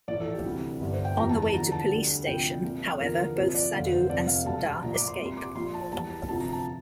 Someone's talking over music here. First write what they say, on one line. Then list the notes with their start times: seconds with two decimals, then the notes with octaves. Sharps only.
On the way to Police Station, however, both Sadhu and Sundar escape.
0.08 A#1 A2 E3 D5
0.20 A4
0.33 G4
0.44 D2 C3 E3 G3
0.81 G1 G2 D3
0.93 C5
1.05 G5
1.17 F1 F2 E3 G3 A#5
1.29 A5
1.42 A5
1.54 E2 D3 F3 A#5
1.72 A5
1.91 D2 D3 G3
2.26 D2 C3 F3 G5
2.63 C2 A#2 F3
3.00 E2 D3 F3 A#4
3.36 C2 A#2 F3 C5
3.55 D5
3.73 F1 E2 D3 F5
3.92 C5
4.09 F1 F2 C3 D5
4.27 F5
4.46 E1 D2 D3 G3 A5
4.83 A#1 A#2 F3 A#5
4.94 D6
5.07 C6
5.19 C2 A#2 G3
5.26 C6
5.37 D6
5.55 A#1 A#2 F3 C6
5.74 A5
5.92 E2 E3 G3 A5
6.29 D2 C3 F3 A5
6.40 A#5
6.52 A5